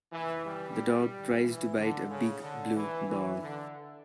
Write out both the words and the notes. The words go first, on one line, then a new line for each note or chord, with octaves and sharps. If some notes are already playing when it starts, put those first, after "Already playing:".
The dog tries to bite a big blue ball.
E3
G3
E3
D3
C#3
D3
E3
E3
D3